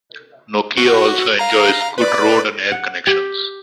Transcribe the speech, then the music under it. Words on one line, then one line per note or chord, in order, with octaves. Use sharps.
Nokia also enjoys good road and air connections.
F#4
F5 A#5
B4 D5
F#5
G4